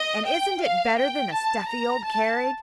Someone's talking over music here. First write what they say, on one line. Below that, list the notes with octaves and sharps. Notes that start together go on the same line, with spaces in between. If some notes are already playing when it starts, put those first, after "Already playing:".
"And isn't it better than a stuffy old carriage?"
Already playing: D#5
G5
F5
G5
A5
A#5
A5